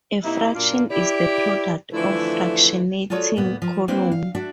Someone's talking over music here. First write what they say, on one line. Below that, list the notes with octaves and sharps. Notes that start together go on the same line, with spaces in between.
A fraction is the product of a fractionating column.
C3 A#3 D#4 E4
F#2 A#2 D4 F4 A#4 D5
E4 G4 D5
D3 E3 F3 A3 E4
F4 F#4 G#4 A4 C#5 D5
D2 A#2 B3
F3
A#3 C4 D4 E4 B4 C5
F5
D4 F#4 E5